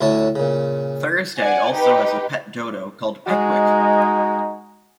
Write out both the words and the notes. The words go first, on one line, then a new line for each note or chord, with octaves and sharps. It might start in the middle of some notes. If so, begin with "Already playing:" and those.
Thursday also has a pet dodo called Pickwick.
D2 A2 D3 E4 C#5 A5
A#2 C#3
D5 F#5 G#5
D#4 G4 B4
G#3 D#4 F#4